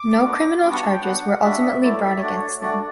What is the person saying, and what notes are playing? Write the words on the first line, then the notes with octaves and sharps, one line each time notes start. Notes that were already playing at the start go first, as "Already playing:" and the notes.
No criminal charges were ultimately brought against them.
Already playing: D6
B3 D4 F#4
G3 B3 D4 F#4 D6
C#6
A5
G5
F#3 B3 D4 F#4 F#5
G3 D4 F#4 E5
F#3 A3 E4 D5
E5
C#5
A3 D4 F#4 D5
C#5
A3 D4 F#4 D5